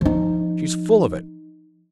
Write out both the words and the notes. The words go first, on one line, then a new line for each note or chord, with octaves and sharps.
She's full of it.
F3 D#4